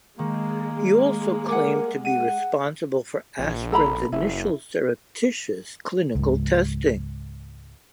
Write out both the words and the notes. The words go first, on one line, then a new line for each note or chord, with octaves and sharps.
He also claimed to be responsible for aspirin's initial surreptitious clinical testing.
D#3 G#3 A#3
A#4 F#5 G#5 D6
F#5 D#7
A#1
A4 A#5 B5
F#1 E4
C#2 G#2